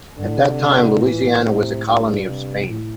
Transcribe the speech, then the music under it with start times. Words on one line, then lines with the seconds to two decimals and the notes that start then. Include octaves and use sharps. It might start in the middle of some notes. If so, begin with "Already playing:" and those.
At that time Louisiana was a colony of Spain.
0.18 G2 D3
0.28 A2
0.39 C3
0.49 C3
0.94 C3
1.01 A2 E3
1.44 C3
1.86 G2
2.28 C3
2.70 A2